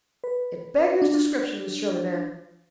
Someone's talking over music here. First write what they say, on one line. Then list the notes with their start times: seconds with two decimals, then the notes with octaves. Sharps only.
It beggars description, Miss Shirley, ma'am.
0.24 B4
1.02 D4